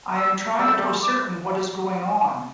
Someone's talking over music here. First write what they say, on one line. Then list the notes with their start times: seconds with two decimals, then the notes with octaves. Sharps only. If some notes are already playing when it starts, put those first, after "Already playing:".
I am trying to ascertain what is going on.
0.16 E6
0.59 G3 E6
0.68 A3
0.79 G3
1.02 D6